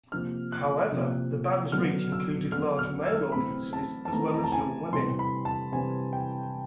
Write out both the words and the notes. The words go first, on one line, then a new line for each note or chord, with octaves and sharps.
However, the band's reach included large male audiences as well as young women.
C3 F3 A#3 F6
F#6
C3 F3 A#3
D3 F#3 B3 F6
E6
D3 F#3 B3 F6
F6
E6
E3 A3 C4 B5
A5
A5
E3 A3 C4 A#5
A#5
A5
G#5
C3 E3 G3 C6
B5
A5
C3 E3 G3 G#5
G5